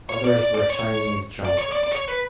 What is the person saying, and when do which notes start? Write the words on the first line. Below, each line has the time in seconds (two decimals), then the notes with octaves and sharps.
Others were Chinese junks.
0.09 C#5
0.24 D5
0.39 D5
0.55 D5
0.70 C#5
1.45 D5
1.58 C#5
1.72 D5
1.83 D5
1.92 C#5
2.08 B4